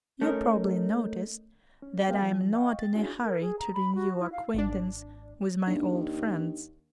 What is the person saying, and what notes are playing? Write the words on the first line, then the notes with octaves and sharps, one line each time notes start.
You probably notice that I am not in a hurry to renew acquaintance with my old friends.
A3 C#4 D#4 A#4
C#4
A#3 C4 G4 G#4 F5 G5
F3
D#5 F5 G5 C#6
A6
C#4 D4 E4 F#4 G#4
A#4
G#4
A#5
B5
F#4
E4
F5
G#1 D4
D#2 D4